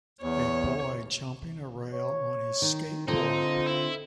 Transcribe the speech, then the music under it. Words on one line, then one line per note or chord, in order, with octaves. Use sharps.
A boy jumping a rail on his skateboard.
E2 C#5
C#5
D#3
D3 C4 D#4 F4
E4